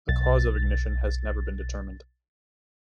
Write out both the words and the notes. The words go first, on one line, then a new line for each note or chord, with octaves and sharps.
The cause of ignition has never been determined.
B1 A6